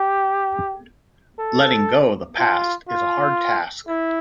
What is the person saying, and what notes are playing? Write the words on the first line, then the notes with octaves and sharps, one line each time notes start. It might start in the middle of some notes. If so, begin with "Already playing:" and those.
Letting go of the past is a hard task.
Already playing: G4
A4
F4
F4
E4